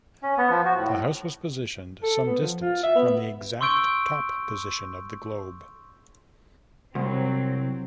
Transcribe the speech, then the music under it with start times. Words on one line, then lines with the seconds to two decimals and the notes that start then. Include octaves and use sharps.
The house was positioned some distance from the exact top position of the Globe.
0.23 C#4
0.38 B3
0.50 F3
0.65 F#4
0.77 A2
2.03 A4
2.26 B3
2.40 F3
2.61 F4
2.83 E5
2.95 B3
3.61 C6 C#6 E6 G6 D7 G7
6.95 C2 F#3 C4